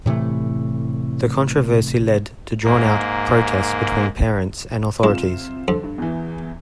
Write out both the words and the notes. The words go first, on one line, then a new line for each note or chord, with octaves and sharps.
The controversy led to drawn-out protests between parents and authorities.
A2 C3 E3 A3
G#2 A#3
C3 G#3 F4 E7
F2 D3
G2
E2 E3